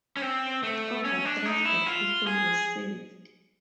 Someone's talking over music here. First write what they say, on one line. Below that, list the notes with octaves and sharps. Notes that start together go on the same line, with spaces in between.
Over three hundred people were saved.
C#4
C4
A3
C#4
D4
D#4
E4
F4
G#4